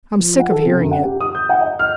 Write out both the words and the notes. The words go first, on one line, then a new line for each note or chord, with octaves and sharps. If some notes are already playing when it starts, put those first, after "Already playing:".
I'm sick of hearing it.
F3
F#5
A4
C3
F#2
F#5
G4
D#6
G6
F#5
D#5
F6